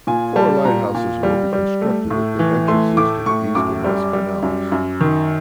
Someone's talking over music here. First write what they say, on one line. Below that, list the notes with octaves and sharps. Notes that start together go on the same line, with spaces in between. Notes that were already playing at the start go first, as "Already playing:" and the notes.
Four lighthouses will be constructed at the entrances to the East and West Canals.
A#2 G#5
G3 A5
A#2 A#5
A#2
G3
G3
A3
A2
E3
A3 C6
A2 D6
A2 C#6
F#2 D6
G3
G3
F#2
F#2
D#3